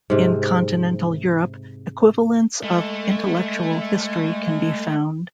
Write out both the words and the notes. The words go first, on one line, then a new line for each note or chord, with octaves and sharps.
In continental Europe, equivalents of intellectual history can be found.
G#2 C3
G#3 A3